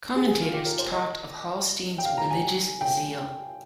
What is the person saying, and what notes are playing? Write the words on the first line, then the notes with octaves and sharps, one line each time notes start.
Commentators talked of Hallstein's "religious zeal".
G#4
G#4
F4
G4
A#4
C5
D#5
G5
F5
A#5
G#5
G5